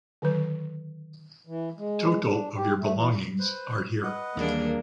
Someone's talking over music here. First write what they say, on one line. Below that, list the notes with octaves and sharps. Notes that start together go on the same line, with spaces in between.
Total of your belongings are here.
D3 D#3 F#3 B4
E3
G#3
D4
G4
A3
E3
B4 C5
B4 D#5 F#5
D#2 E3 G3 A#3 D4 G#4